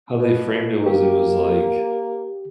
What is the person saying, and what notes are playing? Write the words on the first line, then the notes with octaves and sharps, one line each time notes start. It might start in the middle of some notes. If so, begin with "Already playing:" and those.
how they framed it was it was like,
B2
A#3 G4